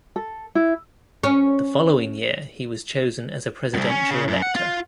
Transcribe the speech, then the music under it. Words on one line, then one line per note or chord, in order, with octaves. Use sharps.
The following year he was chosen as a Presidential elector.
A4
E4
C#4
C2 F#2
C#4
C#3
F#2
F#5
F4